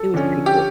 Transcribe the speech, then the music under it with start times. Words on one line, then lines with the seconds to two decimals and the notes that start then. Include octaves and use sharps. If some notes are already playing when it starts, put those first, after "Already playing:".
it was pretty cool.
Already playing: A4
0.14 D3 F3 C#4
0.46 G4